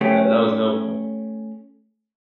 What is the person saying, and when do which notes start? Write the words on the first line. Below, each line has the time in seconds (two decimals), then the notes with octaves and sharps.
That that was helpful.
0.01 A3 C#4 G4